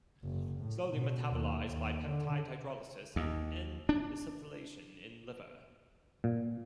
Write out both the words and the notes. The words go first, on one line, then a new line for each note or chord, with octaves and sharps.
Slowly metabolized by peptide hydrolysis and "N"-acetylation in liver.
F#1
A2
B2
D#2
D#2
D3
D#2
D4
A#2